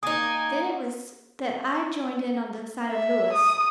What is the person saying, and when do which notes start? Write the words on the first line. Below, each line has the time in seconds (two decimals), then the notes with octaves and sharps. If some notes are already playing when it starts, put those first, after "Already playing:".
Then it was that I joined in on the side of Louis.
0.03 A#3 D#4 G#5 D#6
2.90 E5
3.33 D#6